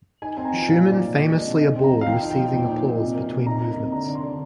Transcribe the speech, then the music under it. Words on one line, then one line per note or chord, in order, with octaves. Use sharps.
Schumann famously abhorred receiving applause between movements.
D#4 G#5
C4 G#5
A#5
F3
A#2 F5
D#4
D5
A#2
D4 D#5
G#3
C3
D#4 D#5
C4
A#5
F3
F5
F3 G5
D#4
G5
F3
A#2 G5
D#4
A#2
C3
A#3
C3
D#4 A#5
A#3
C3
D3 A#5
D4
C6
D3